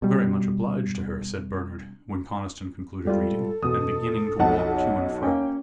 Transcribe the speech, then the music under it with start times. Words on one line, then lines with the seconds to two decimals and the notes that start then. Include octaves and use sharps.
"Very much obliged to her," said Bernard, when Conniston concluded reading, and beginning to walk to and fro.
0.02 B2 G3
3.05 G#2 G3 F4 A4
3.63 E2 B2 D#6
4.39 B1 F2 F#5 A5
4.75 C#5
5.23 A#3 C#4 G5